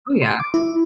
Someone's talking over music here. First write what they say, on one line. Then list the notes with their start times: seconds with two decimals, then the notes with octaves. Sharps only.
Oh yeah.
0.22 C6
0.40 D6
0.54 E4